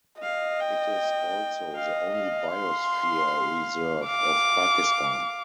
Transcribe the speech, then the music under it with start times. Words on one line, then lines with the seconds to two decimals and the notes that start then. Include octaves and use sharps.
It is also the only biosphere reserve of Pakistan.
0.22 D#5 F5
0.61 G5
1.76 D#5 F5
2.14 F5
2.52 C6
4.06 F5 D6